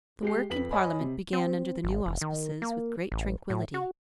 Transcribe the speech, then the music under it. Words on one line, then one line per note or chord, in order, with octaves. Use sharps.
The work in Parliament began under the new auspices with great tranquillity.
G#3 G4 C7
F2 B4 B6 F#7
C#5 D#5 G#5 B5
C3
C4
G#1
F1
D#3
A#3
A1
A2
F#4